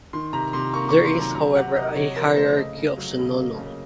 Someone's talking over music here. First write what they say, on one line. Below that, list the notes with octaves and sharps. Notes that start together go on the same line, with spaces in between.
There is, however, a hierarchy of tsunono.
D#3 C6
C3 A#5
C3 C6
A#3 C#6
C#6
D#3
C6
F#3
A#5
C3 A#5
C3 F#5
C3 D#5
C3 C#5
F3 A#4
A3 C5
C#3 D#5
C#3
F#3
C#3
A#3
C#3